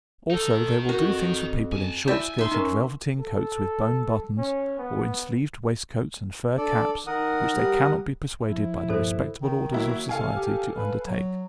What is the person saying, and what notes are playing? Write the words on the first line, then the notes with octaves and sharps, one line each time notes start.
Also, they will do things for people in short-skirted velveteen coats with bone buttons, or in sleeved waistcoats and fur caps, which they cannot be persuaded by the respectable orders of society to undertake.
D#3 D#4 A4
F2 F#4 A#4
G#5 A5
E4 D5 E5 G6
D#4 E5 C6
C#4 D#4 A#4
A4
C#4
B3
D4 A4 D5
D#3 A#4 F#5 D#6
G3
F3 E4
G2 A#2 A4 C5
D#3
F#3 A#3 E4
C3 A4 F5 G#5
G4
B4
F#3